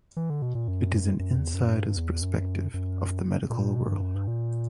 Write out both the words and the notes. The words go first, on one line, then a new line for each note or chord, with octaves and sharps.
It is an insider's perspective of the medical world.
E3
D3
B2
A#2
F#2
F#2
E2
F#2
G2
E2
F#2
F#2
A#2
B2
G2
F#2
G2
A#2